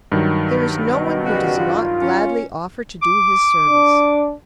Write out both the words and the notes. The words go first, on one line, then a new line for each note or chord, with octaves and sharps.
There is no one who does not gladly offer to do his service.
G2 D#3 F#3
B2
C#3 G3 F#4
F4
C#4
D6
D4